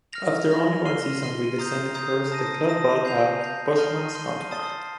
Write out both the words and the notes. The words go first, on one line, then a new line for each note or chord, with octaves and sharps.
After only one season with the Senators, the club bought out Boschman's contract.
F6 A#6 F7
F6 A#6 F7
C6 F6 C7 D#7 G7
C6 F6 C7 D#7 G7
A#5 D#6 G6 C7
A#5 D#6 G6 C7
A5 D#6 A#6 D#7
A5 D#6 A#6 D#7
G6 C7 F7
G6 C7 F7
C6 F6 C7 D#7 G7
C6 F6 C7 D#7 G7
A5 D#6 A6 C7 G7